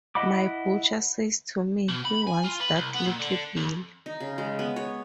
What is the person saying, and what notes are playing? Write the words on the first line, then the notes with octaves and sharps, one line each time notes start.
My butcher says to me he wants that little bill.
E4 D#5 F#5 B5 D6
B2
B5
G#5
F4
B4
C2
B3
A#2
D3
F2
D#4
C#3
G#3
B3
C#5